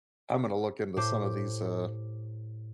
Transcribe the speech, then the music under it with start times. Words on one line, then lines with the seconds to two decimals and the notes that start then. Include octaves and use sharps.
I'm gonna look into some of these, uh
0.97 A2 G4 C5 D6